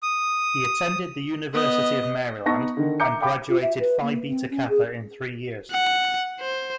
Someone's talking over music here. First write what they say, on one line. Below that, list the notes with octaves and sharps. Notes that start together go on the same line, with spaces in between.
He attended the University of Maryland and graduated Phi Beta Kappa in three years.
D#6
B3 D#5
B3 D#4 A5 C#6 A#6
D3 D#3
E5 A#5 D6 G6 C#7
F5 G5 B5 D6
F4
E5
B4
A#3
C4
C#4
G#4
F#5
C5